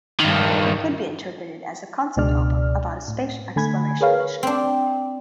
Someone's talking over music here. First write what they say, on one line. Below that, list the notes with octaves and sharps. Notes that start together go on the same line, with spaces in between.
It could be interpreted as a concept album about a space exploration mission.
G2 D#3
C#2 B2 G#3 D4 D5 F6
A2
D3 A3 G#5 B5 G#6
G#4 A#4 B4 C#5 F5
C4 D4